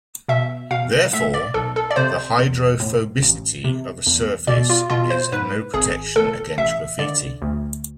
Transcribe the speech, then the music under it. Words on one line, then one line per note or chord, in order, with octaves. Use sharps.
Therefore, the hydrophobicity of a surface is no protection against graffiti.
B2 E5
B2 F5
A2 E5
D5
B1 A4
A4
D5
C3 C5
E2
A2
A1
C3
E2
B2 D5
F4
B2 F4
C5
G#2 B4
G#1 G#4
A2 A4
A1 E5
D3 D5
D2